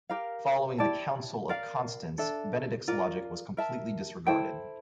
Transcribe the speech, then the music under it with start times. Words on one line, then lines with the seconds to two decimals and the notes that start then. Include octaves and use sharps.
Following the Council of Constance Benedict's logic was completely disregarded.
0.10 G4 A#4 F5
0.78 E4 G4 D5 A5
1.49 A#4 D5 F5
2.18 D4 A4 E5
2.88 F4 A#4 D5
3.57 A#4 E5 A5
4.27 E4 A4 C5 G5